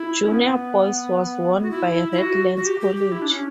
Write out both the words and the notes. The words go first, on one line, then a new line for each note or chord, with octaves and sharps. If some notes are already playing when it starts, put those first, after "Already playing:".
Junior boys was won by Redlands College.
Already playing: E4
C#4
B3
F#4
E4
E4
F#4
F#4
G4
G4
G4
E4
D4
C#4